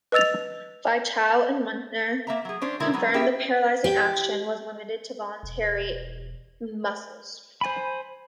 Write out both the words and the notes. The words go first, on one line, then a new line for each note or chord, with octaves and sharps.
Virchow and Munter confirmed the paralyzing action was limited to voluntary muscles.
B4 D#5 E6 A6 F7
A#3 E5 A#5
F#3 G#4
C#4 D4 C5
B2 D3 G#3 E4 A#4
F#3 G#3 B3
C#4 E4 G4 G#4 E5
G4
E1
C5 G#5 B5